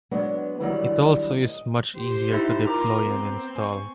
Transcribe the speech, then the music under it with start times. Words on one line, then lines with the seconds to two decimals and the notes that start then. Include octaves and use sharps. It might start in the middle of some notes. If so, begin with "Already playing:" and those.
It also is much easier to deploy and install.
0.11 F#3 G#3 B3 D4
0.60 D3 D#3 F#3 G3 A3 E4
1.43 D#5
1.96 G4 C5
2.32 D#4 E4 E5
2.66 F4 A#4 A#5 D6
3.07 B3 C4
3.56 G#5 C#6